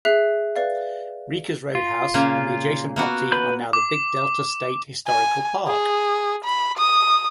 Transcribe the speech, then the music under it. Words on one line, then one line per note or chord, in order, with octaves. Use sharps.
Rika's Roadhouse and the adjacent property are now the Big Delta State Historical Park.
G#4 E5 F#6 C7
B4 D5 F5
F4
A#2 C#3 A#3
A#3 B3 F#4
B4 B5 G6
D6
G#5
G#4
B5
D#6